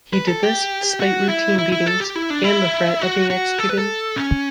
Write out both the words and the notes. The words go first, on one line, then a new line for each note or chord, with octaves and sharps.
He did this despite routine beatings and the threat of being executed.
B4
A4
G4
F#4
E4
E4
E4
A4
G4
E4
D4
E4
F#4
F#4
A4
B4
A4
C#4